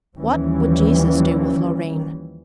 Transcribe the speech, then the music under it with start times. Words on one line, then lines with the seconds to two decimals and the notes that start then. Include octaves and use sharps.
"What would Jesus do with Loreen?"
0.16 D#2 E3 F3 G3 C#4